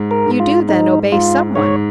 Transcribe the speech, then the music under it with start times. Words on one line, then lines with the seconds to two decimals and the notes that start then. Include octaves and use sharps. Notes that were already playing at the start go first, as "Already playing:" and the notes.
"You do, then, obey some one?"
Already playing: G#2
0.11 A#4
0.26 G#2
0.40 F4
0.69 G#2 D#4
1.12 G#2 F4
1.56 G#2 C#5